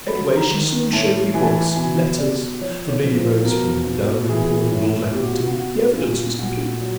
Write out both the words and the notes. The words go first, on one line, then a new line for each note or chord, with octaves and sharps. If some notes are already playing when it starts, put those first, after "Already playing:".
Anyway, she soon showed me books, letters--from Lady Rose, from Dalrymple, Lord Lackington--the evidence was complete....
F#3 B5
A#5
D#3
A2 A5
E3 G#5
A5
G#5
B2 G#5
B2 D5
F3 C#5
C#5
F3
C5
B2 A#4
B2
E3 G#4
A2
B2 G4
F#4
F4
F#4
B2 F#4
A#2 F4
A#2 F#4
F#3